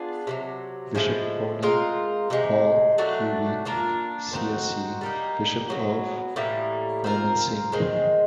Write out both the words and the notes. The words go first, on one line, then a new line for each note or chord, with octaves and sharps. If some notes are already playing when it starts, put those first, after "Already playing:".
Bishop Ponen Paul Kubi, csc, Bishop of Mymensingh.
Already playing: B3 D4 F4 G#4
C3 D#3 F#3
A2 F3 G#3
G#3 C4 F4 A#4
C3 D#3 G#3
F#3 A3 D4 F#4
A#3 D4 F4 A#4
C4 D#4 F#4
G3 A#3 D#4
B2 F#3 B3
A2 E3 G3 A#3
C4 F4 A#4
D#3 G#3 C4